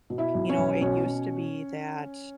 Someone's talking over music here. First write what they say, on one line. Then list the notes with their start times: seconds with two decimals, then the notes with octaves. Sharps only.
You know, it used to be that,
0.10 B2
0.18 E4 E5
0.35 B1
0.50 C#4 C#5
0.57 B1
0.81 B2 C#4 C#5
1.05 B2